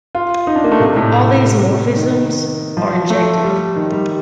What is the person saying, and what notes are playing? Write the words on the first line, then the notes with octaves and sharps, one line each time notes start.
All these morphisms are injective.
F4
D#4
D4
A#3
A3
C3
A2
C3
D#3
F3
A3
G3
D#3
G3